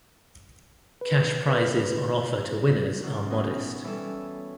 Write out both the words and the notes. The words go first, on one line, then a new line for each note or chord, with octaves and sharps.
Cash prizes on offer to winners are modest.
B4
B4
B4
F#2
B2 E3 B3 C#4 D#4
E3 G3 C#4 A4